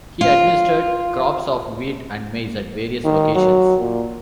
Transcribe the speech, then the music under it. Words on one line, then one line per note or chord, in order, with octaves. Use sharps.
He administered crops of wheat and maize at various locations.
F4
D#3
F#3
A#2